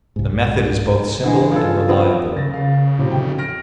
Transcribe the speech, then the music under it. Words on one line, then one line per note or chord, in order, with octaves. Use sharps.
The method is both simple and reliable.
C2 G#2
D3 E3 G#3
C#3 F4 A4
B3 C4 F4 D#5
C#3 A#4 A6 A#6
F5
A2 C3 F#3
F1 G5
F6 A#6 D7